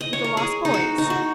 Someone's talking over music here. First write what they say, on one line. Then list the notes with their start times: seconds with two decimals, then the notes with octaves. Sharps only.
"With the lost boys."
0.01 D#5
0.13 C#5
0.24 A#4
0.37 G#4
0.65 D#4
0.74 F#4
0.98 D#4
1.10 F#4